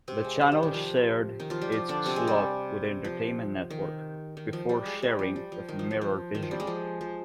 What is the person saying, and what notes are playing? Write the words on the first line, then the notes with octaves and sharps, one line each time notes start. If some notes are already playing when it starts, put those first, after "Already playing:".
The channel shared its slot with The Entertainment Network, before sharing with Mirrorvision.
C3 C4
G#3
G#3
G3
D#3
F3
D#3 D#4
F3 F4
G3 G4
F3 F4
D3 D4
C3 C4
G#3
G3
F3
D#3
D#3
F3
G3
G#3
G3
F3
G3
F3
D#3
F3
D#3
F3
D#3
F3
G3
G#3
F3
F3